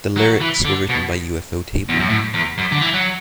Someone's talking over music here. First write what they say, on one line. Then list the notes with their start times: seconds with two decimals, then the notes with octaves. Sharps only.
The lyrics were written by ufotable.
0.16 F#3
0.40 E3
0.65 D3
0.89 B2
1.89 E2
1.99 F#2
2.10 A2
2.34 E2
2.58 F#2
2.72 D3
2.82 E3
2.94 F#3